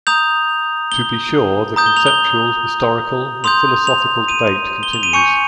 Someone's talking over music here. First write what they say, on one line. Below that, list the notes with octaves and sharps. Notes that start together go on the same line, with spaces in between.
To be sure, the conceptual, historical, and philosophical debate continues.
A#5 D#6 G6 F7
G7
A#5 D#6 G6
G7
F7
G7
C6 D#6 G6 F7
F7
D#7
G7
F7
D#7
G#5 C#6 G6 C#7